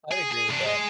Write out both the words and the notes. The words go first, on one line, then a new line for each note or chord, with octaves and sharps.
I'd agree with that.
G#4
G#4
C3 D4
G#4 D#5